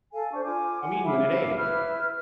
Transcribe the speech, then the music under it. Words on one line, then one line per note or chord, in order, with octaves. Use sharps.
"I mean when it ain't."
A4 F5 G#5
D4 C5 C#6
F4 G#5 D6
F#5 G#5
E5 F5 B5 D6
E4 B4 F6